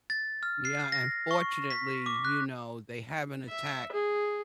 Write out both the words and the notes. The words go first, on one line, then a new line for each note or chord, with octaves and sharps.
Yeah, and fortunately, you know, they haven't attacked
A6
F6
C7
A#6
C#6
B6
D6
F#6
E5
G#4